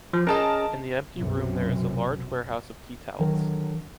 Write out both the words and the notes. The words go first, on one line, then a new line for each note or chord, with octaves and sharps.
In the empty room there is a large warehouse of tea towels.
F3
C#4 G#4 A#4 D#5 A5
B1 F#2 C3
D3 D#3 F#3 A#4